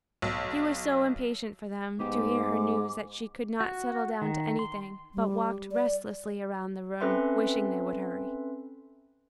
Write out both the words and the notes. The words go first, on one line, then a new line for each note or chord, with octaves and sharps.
She was so impatient for them to hear her news that she could not settle down to anything, but walked restlessly around the room, wishing they would hurry.
B1
G#2 B3 D#4 G4 D6
F#4
D#3
C6
G3
D5
C4 C#4 A4 B4 E5 C6